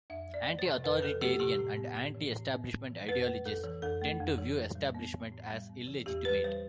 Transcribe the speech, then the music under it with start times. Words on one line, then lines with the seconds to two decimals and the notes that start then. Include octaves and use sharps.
Anti-authoritarian and anti-establishment ideologies tend to view establishments as illegitimate.
0.10 F2 E5
0.29 F3
0.34 D5
0.47 A3
0.59 C5
0.65 C3
0.84 F2 B4
1.02 F3 A4
1.21 A3 G4
1.40 C3 G4
1.59 A2
1.77 B3
1.96 A2
2.15 E3
2.33 A2
2.53 B3
2.71 A2
2.89 E3
3.08 F2 B4
3.27 A3
3.46 F2 A4
3.64 E3
3.82 F2 A4
4.02 A3
4.20 F2
4.38 E3
4.57 A2
4.75 G3
4.95 B3
5.13 E3
5.32 A2
5.50 G3
5.70 B3
5.87 E3
6.06 E2 G4
6.25 E3 B4
6.44 G3 C5